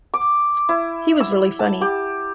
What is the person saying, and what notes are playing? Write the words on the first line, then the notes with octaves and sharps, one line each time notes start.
He was really funny.
D6
E4
E6
A5
G4